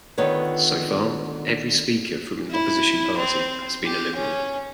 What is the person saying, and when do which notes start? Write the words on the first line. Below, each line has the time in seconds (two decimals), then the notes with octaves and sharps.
So far, every Speaker from an opposition party has been a Liberal.
0.18 D3 D#3 B3 F4 B4 C#5
2.51 E4
3.17 C4
3.85 G4
4.15 C#4